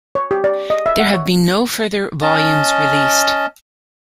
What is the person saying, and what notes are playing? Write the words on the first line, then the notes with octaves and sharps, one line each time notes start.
There have been no further volumes released.
C#5
G4
D5
D#5
E5
F#5
C#5
C#4 D#5 A5